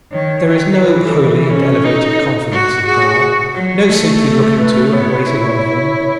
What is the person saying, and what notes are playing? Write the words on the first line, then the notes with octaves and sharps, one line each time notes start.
There is no holy and elevated confidence in God, no simply looking to and waiting on him.
D#3 C#5
D#3
E3 B4
A4
A4
C#4
D#4
F#4
F#4 G#4
F#3
A3
A4
B4
B3 C#5
E4